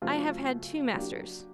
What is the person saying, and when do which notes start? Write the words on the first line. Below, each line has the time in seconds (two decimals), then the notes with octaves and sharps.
I have had two masters.
0.02 C#3 F#3 A3 C4 F4
0.93 F#3 A#3 D4 G4